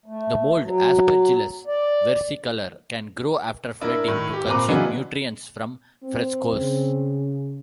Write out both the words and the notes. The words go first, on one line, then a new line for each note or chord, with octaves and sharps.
The mold aspergillus versicolor can grow after flooding, to consume nutrients from frescoes.
A3
F#3
D5
D4 E4 A#4
A2 D#3
G4
A#2 C4 B4 A#5 D6
C#3 E3 F#3 G#3 B3 D4
C4
C#3